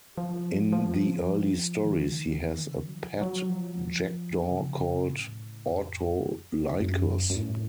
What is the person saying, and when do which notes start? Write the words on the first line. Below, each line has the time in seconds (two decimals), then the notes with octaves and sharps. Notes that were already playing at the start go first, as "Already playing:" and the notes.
In the early stories he has a pet jackdaw called Autolycus.
0.18 F3
0.73 F3
1.83 D#3
2.38 F3
2.52 D#3
2.66 C#3
2.80 D#3
2.87 F#3
2.94 F3
3.21 F#3
3.49 F3
4.51 C3
4.59 C#3
5.14 A2
5.70 F2
6.80 F#2
7.30 F#2
7.36 A2